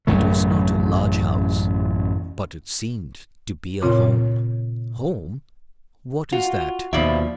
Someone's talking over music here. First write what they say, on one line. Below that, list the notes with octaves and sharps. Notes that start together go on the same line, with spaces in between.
It was not a large house, but it seemed to be a home. Home!--what is that?
A1 F#2 C#3 A3
A#2 C#3 C4 F4 C#5 D6
F4 F#4
D#2 B2 F3 D#4 F4 D5 E5 B5